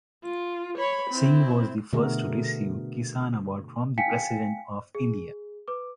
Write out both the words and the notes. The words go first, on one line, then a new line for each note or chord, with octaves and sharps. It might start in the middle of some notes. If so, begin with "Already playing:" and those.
Singh was the first to receive Kisan Award from the President of India.
F4
C#5 B5
C4 E4
B2 D3 A3 F#4 G#4 A#4
F5 G5 G#5 B6 C#7
G#4
B4 D6